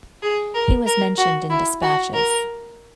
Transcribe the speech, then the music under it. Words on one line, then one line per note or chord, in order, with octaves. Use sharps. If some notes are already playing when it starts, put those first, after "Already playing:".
He was mentioned in despatches.
G#4
A#4
A#4
F#4
E4
F#4
A#4